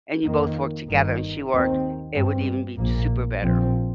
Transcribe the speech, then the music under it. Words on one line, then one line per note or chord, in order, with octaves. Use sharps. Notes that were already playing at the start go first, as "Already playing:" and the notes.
and you both work together, and she worked, it would even be t super better.
F2 D#3 A#3
G1 G2 D#3
D#2 D#3 C4
G2 G3 C4
A#1 A#2 A#3
A#1 A#2 F3 C4